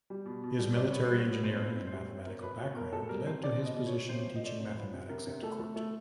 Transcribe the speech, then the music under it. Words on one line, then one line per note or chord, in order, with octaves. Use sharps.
His military engineering and mathematical background led to his position teaching mathematics at court.
G3
B2
B2
G3
G3 D5
B3 C#5
G3 C5
C#5
B3
B2 C5
C4
B4
C4
C5
G3
C4 C#5
B2 A#4
B2 B4
B2 C#5
B2 A#4
B2 A4
G3 A#4
C4 C5
C4 D5
B2
D#5
B2
C#5
B2
C3 C5
F3
D#5
A3 D5
C3 C#5
C5
F3 B4
C3
C3 A#4
C3
A3 A4
A3
A3